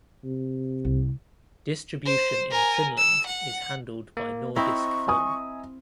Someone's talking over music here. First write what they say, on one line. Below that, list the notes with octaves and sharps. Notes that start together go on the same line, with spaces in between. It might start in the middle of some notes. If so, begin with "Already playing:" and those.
Distribution in Finland is handled by Nordisk Film.
C3
C2
C5
A#4 G#5
E6
F#5
A#3
C4 E4 D#5 E5 A#5 C#6
G#5 D#6